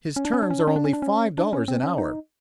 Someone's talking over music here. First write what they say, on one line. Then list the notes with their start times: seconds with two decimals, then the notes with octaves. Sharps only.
His terms are only five dollars an hour.
0.16 C#4
0.25 D4
0.34 C#4
0.43 D4
0.51 C#4
0.60 D4
0.68 C#4
0.76 D4
0.85 C#4
0.93 D4
1.02 C#4
1.38 D4
1.53 C#4
1.68 C4
1.83 C#4
1.98 D#4